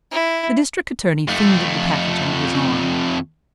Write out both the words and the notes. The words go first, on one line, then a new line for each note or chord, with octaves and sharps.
The district attorney fingered the package under his arm.
E4
F2 A3